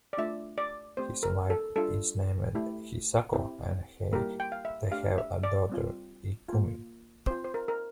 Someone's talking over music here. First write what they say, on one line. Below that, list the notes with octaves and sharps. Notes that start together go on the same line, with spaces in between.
His wife is named Hisako, and they have a daughter, Ikumi.
D5
A3 D4 F4 E5
D5
A3 C4 G4 C5
A#4
A4
G3 D4 F4 A4
A3 E4 G4
C4 E4 G4
G3 A#3 E4 G4 A#4
G5
F5
E5
A3 D4 G4 F5
E5
D5
G3 C4 F4
A#3 F4
C4 F4 C5
C5
A#4
A#4